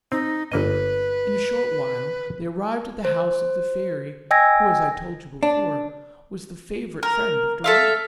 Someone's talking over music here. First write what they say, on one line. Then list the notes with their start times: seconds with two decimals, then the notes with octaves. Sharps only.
In a short while they arrived at the house of the fairy who, as I told you before, was the favourite friend of Dorani.
0.12 C4 D#4
0.52 G1 A#3 B4 D#5
3.05 C5
4.31 D#5 G5 G#5 E6 G#6 A#6
5.43 D4
7.03 A#4
7.64 A4 E5 F5